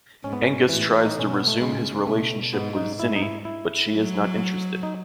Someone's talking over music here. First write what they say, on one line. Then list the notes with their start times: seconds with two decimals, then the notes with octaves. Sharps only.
Angus tries to resume his relationship with Zinnie but she is not interested.
0.24 G#2 C#4
0.33 B3
0.43 C#4
0.69 A2 E3
1.05 D#4
1.15 B2 C#4
1.34 B3
1.47 A3
1.62 C#3 G#3
2.07 B2 A3
2.53 G#2 B3
2.76 D#4
2.99 G#2 E4
3.16 D#4
3.22 E4
3.45 E4
3.91 F#3
4.83 D#4